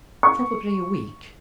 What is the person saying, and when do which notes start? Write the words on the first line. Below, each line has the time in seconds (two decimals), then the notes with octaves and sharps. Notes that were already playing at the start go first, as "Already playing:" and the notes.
"Probably a week."
0.23 C#6